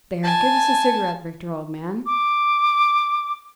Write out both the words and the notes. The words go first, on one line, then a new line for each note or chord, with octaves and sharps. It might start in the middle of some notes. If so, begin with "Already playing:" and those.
There, give us a cigarette, Victor, old man.
G#5 A5
D6